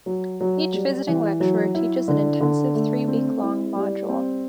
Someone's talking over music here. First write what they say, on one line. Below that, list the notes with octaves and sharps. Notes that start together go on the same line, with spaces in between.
Each visiting lecturer teaches an intensive three-week-long module.
F#3
F#3
G3
E3
F#3
E4
D3
D3
A3
C4
E4
G3
C4